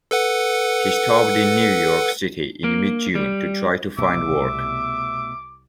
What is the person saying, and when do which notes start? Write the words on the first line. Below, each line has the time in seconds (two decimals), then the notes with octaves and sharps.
He stopped in New York City in mid-June, to try to find work.
0.11 A4 B4 F#5
2.64 A#3
3.15 G3
3.98 C2 B2 A3 B3 E5 D6